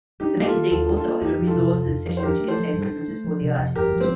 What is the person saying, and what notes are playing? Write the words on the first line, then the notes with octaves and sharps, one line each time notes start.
The magazine also offered a "Resources" section which contained references for the articles.
D4 D#4 G4
A#3 G4
F4 A4
D#3
D#2 F4 A4
D4
F4 A4
A#3
F2 D#4 G4
F3
F4 A4
C3
F2
F2
F3
C5
D4 G4 A#4
A3
A4 C5
F3
G2
D4
A3
F3
C3
F2
G1 G4 A#4
F3
C4